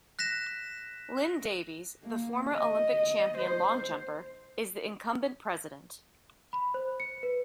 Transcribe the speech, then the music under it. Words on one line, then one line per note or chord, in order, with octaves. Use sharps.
Lynn Davies, the former Olympic champion long jumper, is the incumbent president.
F#6 A#6 B6 E7
A#3
D#5
C5
B5
C5
C#7
B4